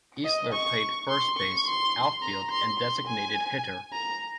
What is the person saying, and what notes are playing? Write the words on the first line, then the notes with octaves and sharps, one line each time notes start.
Easler played first base, outfield and designated hitter.
D#5
C#6
C6
C#6
C6
A#5
C6
C6
G#5
A#5